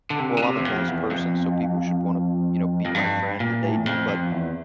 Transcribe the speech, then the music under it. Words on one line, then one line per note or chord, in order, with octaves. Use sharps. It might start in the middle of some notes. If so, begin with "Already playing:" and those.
Like, "Well, I'm a nice person, so people should wanna," you know, "be my friend or date me," but
D3
C3
D3
C3
E2
F2
E2
F2
F2
G2
A#2
A2
E2
F2
F2
E2